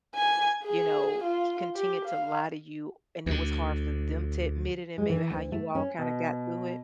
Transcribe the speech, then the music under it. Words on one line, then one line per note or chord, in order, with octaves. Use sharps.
you know, c continued to lie to you, and it was hard for them to admit it and maybe how you all kinda got through it?
G#5
G#4
F4
G4
F5
D2 D3
G#3
E3
D2
A3
C#4
B2